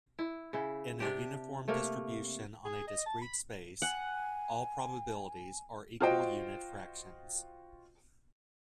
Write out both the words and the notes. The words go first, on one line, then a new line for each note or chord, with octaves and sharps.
In a uniform distribution on a discrete space, all probabilities are equal unit fractions.
E4
C#3 E4
C3 D4 G4
C3 A3 A#3
G#4
D#5
A5
B5
F#5 G#5
F4 F#4 C5 D#5 G5